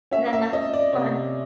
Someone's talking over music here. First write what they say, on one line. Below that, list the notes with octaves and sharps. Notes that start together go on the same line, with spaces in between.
And then that go ahead.
C#4 E5
E5
C#4 D#5
D5
C3 C#5